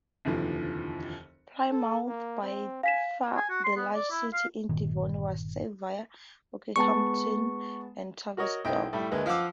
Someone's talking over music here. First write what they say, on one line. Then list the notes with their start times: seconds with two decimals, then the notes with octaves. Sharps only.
Plymouth, by far the largest city in Devon, was served via Okehampton and Tavistock.
0.25 F1 D#2 D3 E3 F3
1.71 A4
2.06 A#3
2.42 C4
2.83 F5 G#5 B6 E7
3.37 G#5
3.49 F#4
3.64 C6
3.77 B3
3.94 D5
4.11 E4
4.33 F5
4.69 G1 A#2 D#3
6.76 G#3 B3 A5 C#6
8.37 F#4 A#4 C#5 D#5
8.65 B1 E4 D#5 G5
8.93 A2 G3 A3
9.11 D2 G#3 A#3 B4
9.26 F3 F5 F#5 D6 E6